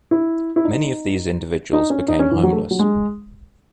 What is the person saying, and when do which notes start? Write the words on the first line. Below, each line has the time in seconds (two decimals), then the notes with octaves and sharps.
Many of these individuals became homeless.
0.11 E4
0.56 E4
0.65 D#4
1.73 D#4
1.90 C#4
2.08 D#4
2.19 C#4
2.31 E3
2.43 F#3
2.53 A3
2.71 F#3
2.79 G#3